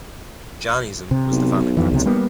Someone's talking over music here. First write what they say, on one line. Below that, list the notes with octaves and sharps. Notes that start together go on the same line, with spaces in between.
Jann Eason was the founding Principal.
C3
B1
F2 E3
C#2 C3
G3 A#3 B3